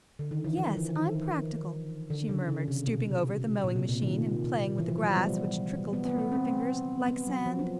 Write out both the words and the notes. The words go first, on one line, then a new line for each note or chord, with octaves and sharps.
"Yes, I'm practical," she murmured, stooping over the mowing-machine and playing with the grass which trickled through her fingers like sand.
D3
D#3
E3
F3
E3
D#3
D3
C#3
C#3
C3
B2
A#2
C3
A#2
D#3
E3
F3
F#3
G3
B3
B3
B3
B3
C4
B3
F#3
F3
F3